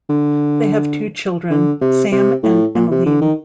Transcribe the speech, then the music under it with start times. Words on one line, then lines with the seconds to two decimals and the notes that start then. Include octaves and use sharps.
They have two children, Sam and Emelyn.
0.09 D3
1.50 D3
1.81 C3
2.12 C3
2.43 A2
2.75 A#2
2.91 C3
3.06 D3
3.21 D#3